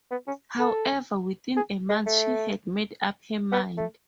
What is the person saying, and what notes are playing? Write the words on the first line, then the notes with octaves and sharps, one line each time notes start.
However, within a month she had made up her mind.
B3
C#4
A4
G#4
G#3
A3
B3
A3